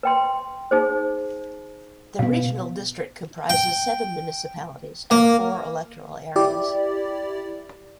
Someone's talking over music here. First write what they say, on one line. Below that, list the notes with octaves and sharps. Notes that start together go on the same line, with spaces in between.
The regional district comprises seven municipalities and four electoral areas.
B4 G5 C6
D#4 G#4 C5
B2 B3 F5
G5
A#3
E4 G4 D5